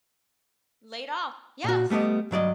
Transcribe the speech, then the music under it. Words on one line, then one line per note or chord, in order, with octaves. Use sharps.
Laid off. Yes.
A#2 F#4
G3 A3 B3 G4 D#5
G2 F#3 D5 D#5